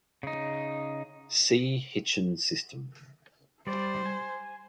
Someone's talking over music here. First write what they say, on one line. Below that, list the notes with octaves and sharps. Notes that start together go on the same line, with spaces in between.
See Hitchin system.
C#3 D#4
G3 C5 D5
G#5